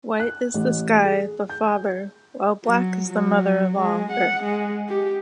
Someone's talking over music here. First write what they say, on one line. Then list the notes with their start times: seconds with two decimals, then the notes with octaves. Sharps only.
White is the sky, the Father, while black is the mother of all, Earth.
0.20 F#6
0.54 A1
1.04 G#4
1.49 G6
2.65 F#3
3.08 F#3
3.78 G#3
4.12 F#5
4.43 G#3
4.88 G4